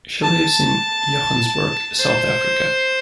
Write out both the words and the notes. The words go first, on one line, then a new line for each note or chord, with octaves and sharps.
She lives in Johannesburg, South Africa.
A5
C5